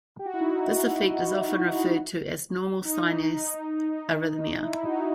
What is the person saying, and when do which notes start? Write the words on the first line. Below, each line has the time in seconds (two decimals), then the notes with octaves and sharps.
This effect is often referred to as normal sinus arrhythmia.
0.19 G4
0.26 F#4
0.34 E4
0.40 D#4 F#4
1.07 E4
2.85 D#4
3.74 D#4
4.63 E4
4.85 D#4 F#4